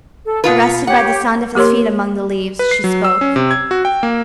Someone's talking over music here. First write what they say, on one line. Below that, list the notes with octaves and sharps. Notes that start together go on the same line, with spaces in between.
Arrested by the sound of his feet among the leaves, she spoke.
A4
B2 F4 B4 F#5
G4 C#5 F#5
A#3 G4 A#4 C#5 C6
B4
C7
F#3
E6
C#4
C3
G#6
F#4
G5
A#3